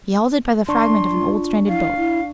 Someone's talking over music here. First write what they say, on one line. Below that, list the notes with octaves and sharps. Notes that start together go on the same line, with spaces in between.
He halted by the fragment of an old stranded boat.
G#1 D4 C6 C#6
F4
E4 F5
E4